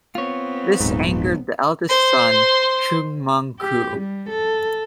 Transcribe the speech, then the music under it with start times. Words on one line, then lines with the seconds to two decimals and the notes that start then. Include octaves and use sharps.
This angered the eldest son Chung Mong-koo.
0.15 B3 C4 F4 C#5
0.81 D#1 B1 G#2
1.89 C5 C6
3.59 G4
3.98 G3
4.29 A4